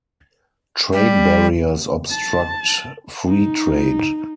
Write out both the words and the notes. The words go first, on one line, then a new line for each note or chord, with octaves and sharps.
Trade barriers obstruct free trade.
G3
A5
D#4